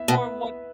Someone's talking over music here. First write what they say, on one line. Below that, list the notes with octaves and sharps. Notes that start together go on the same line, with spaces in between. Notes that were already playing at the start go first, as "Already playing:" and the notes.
Or what
Already playing: B3 E4 E5
B2
B4